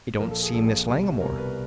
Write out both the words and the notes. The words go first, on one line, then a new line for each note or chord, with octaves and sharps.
"I don't see Miss Langmore."
A#1 A#2 F3 A#4
A4
G#4
A#1 A#2 F3 A4
C2 B2 G3
C2 B2 G3 A#4
B4